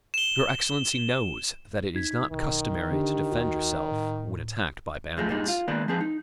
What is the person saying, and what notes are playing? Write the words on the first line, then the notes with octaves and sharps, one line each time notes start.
"Your excellency knows that it is not customary to defend yourself when attacked by bandits."
E7 G7
D#4 G#6 B6
B1 B2 D#3
D3 D4 G4
D2 F#4
A2
F#2 F3 G#3 A3
G2 A#2 G3 G#3 D#4
F4
D#3 G#3 A#3 B3 B4 D5
F3 G#3 C4 G#4 B4
D#4